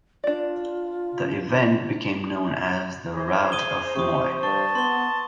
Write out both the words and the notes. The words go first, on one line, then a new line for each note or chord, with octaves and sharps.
The event became known as The Rout of Moy.
D4 F4 D5
G#4 C5
D#6 D#7 G7
C3 C#6 D#6
G2 A5 C#6
B3 C6 G7